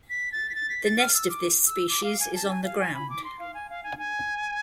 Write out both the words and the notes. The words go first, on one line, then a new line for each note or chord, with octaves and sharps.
The nest of this species is on the ground.
B6
A6
B6
A6
B6
A6
F6
E6
D6
E6
D6
F5
G#5
A5
G#5
F5
G#5
B5
D6
C6
F5
G#5
F5
G#5
G#5